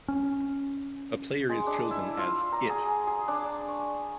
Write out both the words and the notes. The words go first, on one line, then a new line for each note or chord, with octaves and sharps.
A player is chosen as 'It.
C#4
G#3
D4
E4
F4
A#5
G#4
G#4
D4
C#6